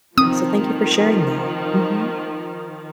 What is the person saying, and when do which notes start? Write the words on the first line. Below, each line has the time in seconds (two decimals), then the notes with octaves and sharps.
Uh, so thank you for sharing that, mhm.
0.18 D#3 F3 C4 D#6